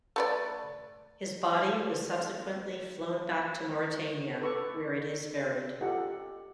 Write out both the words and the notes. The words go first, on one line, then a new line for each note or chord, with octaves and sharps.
His body was subsequently flown back to Mauritania, where it is buried.
A3 B4 D5
C#6
A4 B4 C#6 D6
F4 G4 A4 D#5 F#5